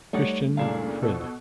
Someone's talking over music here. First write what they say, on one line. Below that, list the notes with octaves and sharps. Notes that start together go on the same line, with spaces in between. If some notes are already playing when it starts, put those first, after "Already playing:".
Christian Frid.
G3 A3 D#4 C#5 D5 F#5
F#2 A#2 C#3 D4 E4 A4 F5
B2 F3 A4